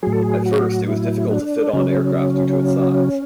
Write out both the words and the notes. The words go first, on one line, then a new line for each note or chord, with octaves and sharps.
At first it was difficult to fit on aircraft due to its size.
A2 F#3 G#4
A4
G#4
F#4
E4
D4
C#3 F#3 C#4
C#4